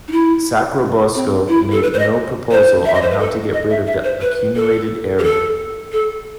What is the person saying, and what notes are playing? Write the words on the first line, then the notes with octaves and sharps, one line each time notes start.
Sacrobosco made no proposal on how to get rid of the accumulated error.
D#4
E4
C4
E4
A4
B4
C5
D#5
C5
E5
D#5
C5
B4
A4
D#5
E5
E5
C5
B4
A4
G4
A4
A4